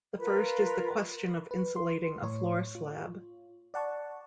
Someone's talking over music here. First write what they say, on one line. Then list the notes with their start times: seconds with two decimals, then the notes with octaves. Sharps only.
The first is the question of insulating a floor slab.
0.19 F4 A#4 B4 B5
1.51 B4
1.76 C6
2.22 A2 C#5
2.75 F4
3.74 D5 F#5 A5 C#6